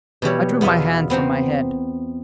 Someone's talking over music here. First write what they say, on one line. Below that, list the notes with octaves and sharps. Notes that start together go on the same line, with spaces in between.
I drew my hand from my head.
B2 E3 G3 C#5
E2 B3 F4 D#5 E5
B3 C4 C5 A#5